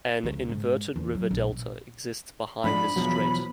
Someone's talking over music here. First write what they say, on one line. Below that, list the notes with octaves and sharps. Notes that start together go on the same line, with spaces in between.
An inverted river delta exists behind this strait.
C#2 C3
G#2
E2
F#3
A#1
G#2 F3 D4 B5
E2 B2 F3 F#3